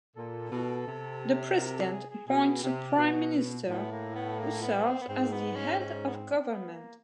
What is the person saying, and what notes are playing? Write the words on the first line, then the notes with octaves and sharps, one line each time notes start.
The president appoints a Prime Minister, who serves as the head of government.
A#2 A4
B2
C3
A#4
A4
G#4
G#4
B2 G#4
C3 G4
B2 F#4
A2 B3
A#3
B3
A#3
B3
C4
B3
G#2 C4
B3
C#4
C#4
B3
C4
B3
A#3